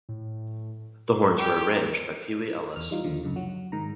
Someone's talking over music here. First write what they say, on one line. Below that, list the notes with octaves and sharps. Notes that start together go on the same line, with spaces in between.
The horns were arranged by Pee Wee Ellis.
A2
G4
E2 F6
E3 G3 D#4 F4
D#2 D3 F3
C#2 F#2 C#3
F#3 F#4
G#2 D#3 A#5